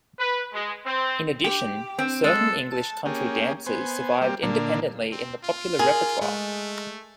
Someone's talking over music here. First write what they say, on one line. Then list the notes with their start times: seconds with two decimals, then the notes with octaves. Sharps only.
In addition certain English country dances survived independently in the popular repertoire.
0.19 B4
0.53 G#3
0.86 C4
1.44 G4
1.99 C4
2.24 G#3 A4
2.72 A5
3.05 A#3 C#4 G4 G#4
3.66 B3 C5 G#5
4.22 G3 A#3 C4 G4
4.43 A#2 D3 A#3 D4
5.12 C4
5.43 F4
5.79 G#4 A#4
6.21 G#3 A3